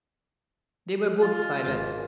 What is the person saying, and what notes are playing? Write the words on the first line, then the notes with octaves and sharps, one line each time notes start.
They were both silent.
F4
G#1